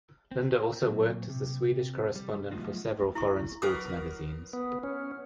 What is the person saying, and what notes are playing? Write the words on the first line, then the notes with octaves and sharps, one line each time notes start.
Linde also worked as the Swedish correspondent for several foreign sports magazines.
C4
A#2 F#3
C3
G3
F#3 A3 B3 D#4 F4 F#4
E4 C#6
F#3 A#4 B4 D#6
B3
C#4